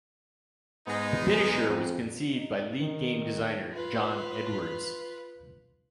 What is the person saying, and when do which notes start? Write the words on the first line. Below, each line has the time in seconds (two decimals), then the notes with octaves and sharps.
The finisher was conceived by lead game designer John Edwards.
0.87 G#2 G#3 B3 D#4
1.22 F#3
1.67 F2
2.35 D#4
2.80 D#3
3.73 F4 B4